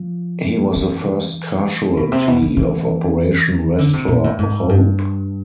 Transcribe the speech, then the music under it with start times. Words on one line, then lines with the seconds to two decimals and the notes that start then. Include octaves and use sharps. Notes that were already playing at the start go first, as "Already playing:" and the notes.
He was the first casualty of Operation Restore Hope.
Already playing: F3
0.76 E3
1.97 B2
2.12 C3
2.27 B2
2.42 E3
2.57 E3
3.78 D3
3.93 C3
4.08 A#2
4.24 A2
4.38 G#2
4.69 G2